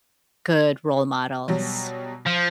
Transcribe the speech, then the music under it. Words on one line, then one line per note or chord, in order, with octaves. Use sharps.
good role models.
B2 F#3 G3
F3